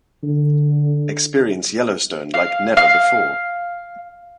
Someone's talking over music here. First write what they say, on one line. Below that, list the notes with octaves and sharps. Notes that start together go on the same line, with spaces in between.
Experience Yellowstone like never before!
D3
F5
F5